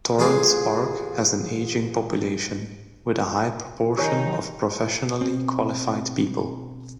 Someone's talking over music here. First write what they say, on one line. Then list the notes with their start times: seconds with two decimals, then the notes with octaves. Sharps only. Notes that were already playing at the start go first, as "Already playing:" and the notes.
Torrens Park has an ageing population, with a high proportion of professionally qualified people.
0.19 A1 F4 G#4 D6
3.97 D#3 D#4 G4 C#5 G#5
5.21 B2 C4